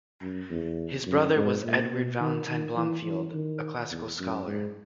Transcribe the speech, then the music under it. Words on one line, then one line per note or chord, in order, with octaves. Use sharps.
His brother was Edward Valentine Blomfield a classical scholar.
F#2
E2
F#2
G#2
A#2
B2
D#3
D#3
E3
E3
D#3
E2
F#2
G#2